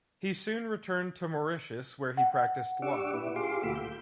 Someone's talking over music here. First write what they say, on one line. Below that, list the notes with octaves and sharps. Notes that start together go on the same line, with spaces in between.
He soon returned to Mauritius where he practised law.
F#5
D4 G4 F#5 C#6 D6 E6
A#2 E4 B4
F4 G4 G#4 F5 C6 D6
D2 A#2 A3 F#4 B5 E6
G6